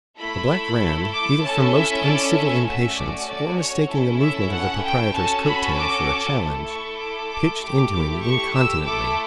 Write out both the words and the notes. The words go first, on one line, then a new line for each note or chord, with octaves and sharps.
The black ram, either from most uncivil impatience, or mistaking the movement of the proprietor's coat-tail for a challenge, pitched into him incontinently.
A3 E4 A4 B5
D6
C#4 E4 A4 A5
E5
D5
E5
A3 C#4 F#4 E5
D5
D5
C#5
C#4 E4 A4
E5
F#5
G5
C#4 F#4 A4 A5
B5
D6
A3 E4 A4
C#6
D6
D6
A3 E4 G4 D6
C#6
E6
A3 E4 A4 D6